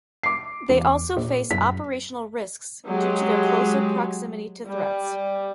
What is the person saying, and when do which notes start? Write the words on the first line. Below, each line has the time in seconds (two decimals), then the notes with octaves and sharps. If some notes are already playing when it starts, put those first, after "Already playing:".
They also face operational risks due to their closer proximity to threats.
0.23 D6 C7
0.69 E2
1.17 A#2
1.51 F#2 B6
2.88 F#3 G#3 G4
4.65 G3